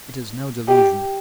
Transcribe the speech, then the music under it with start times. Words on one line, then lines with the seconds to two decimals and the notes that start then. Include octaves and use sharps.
It is no delusion.
0.68 G4